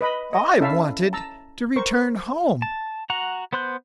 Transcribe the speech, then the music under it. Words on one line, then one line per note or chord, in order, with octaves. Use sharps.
I wanted to return home.
B4 D#5 B5
D#5
C#4 E4 A4 E5 F5
A5 A#5 E6
A#4 C5 C#6
A5
F#4 F#5 A#5
B3 C5 C6 F#6 G6